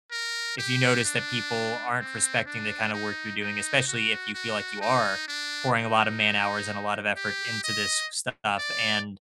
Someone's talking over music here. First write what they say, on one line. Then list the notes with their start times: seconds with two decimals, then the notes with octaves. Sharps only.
if you notice that people aren't respecting the kind of work you're doing, especially if you feel like you are pouring a lot of man-hours and a lot of effort into this stuff and
0.11 A#4
0.58 G4
1.05 D4
1.99 C4
2.46 D4
2.93 D#4
3.40 D#4
3.88 F#4
4.34 F#4
4.81 D#4
5.28 D4
5.76 D#4
7.16 G4
7.64 D#5
8.58 D5